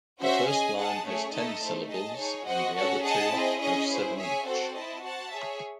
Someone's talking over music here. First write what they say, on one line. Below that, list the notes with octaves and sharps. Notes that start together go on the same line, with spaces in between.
The first line has ten syllables and the other two have seven each.
C#4 F#4 C5 E5
G#4 D#5 G#5
G#4 D#5 F#5 A5
A3 C#4 G#4 C#5
A3 D#4 A4 D#5 A5
A3 D#4 A4 C5
G#4 D#5 A5
D#4 G#4 C#5
F#4 C5 D#5 F#5
C#4 F#4 A4 C#5 F#5
G#4 D#5 F#5 A5
C4 E4 G#4 D#5
C#4 G#4 D#5
E4 G#4 C5
G#4 C#5 E5 G#5
C4 F#4 A4 C5 F#5
E4 C5 D#5 A5
F#4 C5 F#5 A5
G#4 C#5 E5